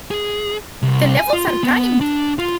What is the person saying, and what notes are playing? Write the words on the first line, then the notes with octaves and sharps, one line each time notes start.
The levels are timed.
G#4
C2
G#5
F4
F4
B3
D4
F4